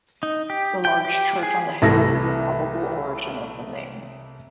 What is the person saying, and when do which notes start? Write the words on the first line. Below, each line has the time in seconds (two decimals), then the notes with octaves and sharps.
The large church on the hill is the probable origin of the name.
0.23 D#4
0.50 G4
0.85 G5
1.05 G4
1.43 G#4
1.82 C2 E3 A3 E4 A#6